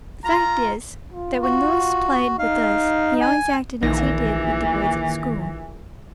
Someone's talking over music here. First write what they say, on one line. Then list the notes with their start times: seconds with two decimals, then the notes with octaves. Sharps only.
The fact is, that when Louis played with us he always acted as he did with the boys at school.
0.24 F4 A#5
1.13 F4
1.43 F#4
2.39 D#4 F5
3.21 G#5
3.83 A#1 D#3 E3 A#3 A#6